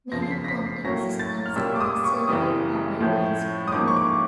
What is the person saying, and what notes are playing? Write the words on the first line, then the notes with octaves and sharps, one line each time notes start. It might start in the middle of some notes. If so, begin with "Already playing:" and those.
Many Contiki systems are severely power-constrained.
F#2 C#3 F3 A#6
C7
B6
A#6
B6
C7
A2 F#3 A#3 C#4 A#6
A6
F6
A#2 G3 A#3 C#4 E6
D6
D#6
C#6
F#2 C#3 E3 G3 D#6
A2 F3 A3 C#4
D#6
G#2 F3 A#3 C#4 D6
C#6
D6